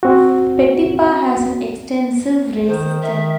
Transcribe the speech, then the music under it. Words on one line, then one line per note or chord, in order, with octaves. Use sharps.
Petipa has an extensive ray system.
C4 F#4
D#3 C5
D#3 E5